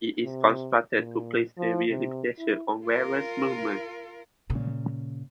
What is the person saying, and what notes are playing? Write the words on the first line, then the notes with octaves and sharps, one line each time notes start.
It is constructed to place severe limitations on the wearer's movements.
C3
A#2
F3
C3
E4
F4 A#4
A#2 C#3